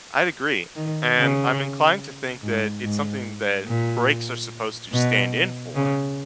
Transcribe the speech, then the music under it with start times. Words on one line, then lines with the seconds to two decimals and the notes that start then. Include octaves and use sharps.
I'd agree, and I'm inclined to think that it's something that breaks are supposed to stand in for,
0.76 D#3
1.18 C#3
2.43 G#2
2.84 G#2
3.67 A#2
4.92 B2
5.75 C#3